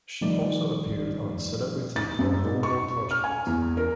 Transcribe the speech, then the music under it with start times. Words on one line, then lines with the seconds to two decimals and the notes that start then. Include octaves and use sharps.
She also appeared on "Celebrity Paranormal Project".
0.21 D#3 F3 G3 A3 D#4 D5
1.96 A6
2.19 F#2
2.44 G#2
2.63 C#6
3.11 F6
3.24 G#5
3.47 E2
3.77 A#4